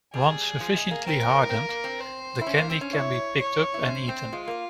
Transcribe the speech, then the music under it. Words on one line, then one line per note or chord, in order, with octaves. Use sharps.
Once sufficiently hardened, the candy can be picked up and eaten.
G3 G#4
F3
G#3
A#3
C4 A#4
C4
A#3
A#3
C4
C5
E4
C#4
A#3
C4
C#4
E4 C#5
C#5
E4
C#4 C5
C4
G#3 F4
A#3